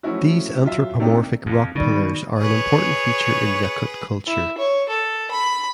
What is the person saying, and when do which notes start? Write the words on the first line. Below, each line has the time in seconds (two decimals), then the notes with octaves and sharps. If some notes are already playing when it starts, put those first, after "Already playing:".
These anthropomorphic rock pillars are an important feature in Yakut culture.
0.03 F3 F#3 A3 C#4 E4 F#4
0.64 F#3 F4 E5
1.00 C3 A3 A#3 D4 D#4 G4
1.46 F2
1.75 B2 D#3 G3
2.37 G#4 B4 C#5
4.27 E4
4.58 C#5
4.89 A4
5.31 B5